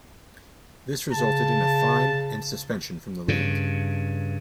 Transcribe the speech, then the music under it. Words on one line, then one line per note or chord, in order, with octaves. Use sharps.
This resulted in a fine and suspension from the league.
C#3 A5
G2 C#3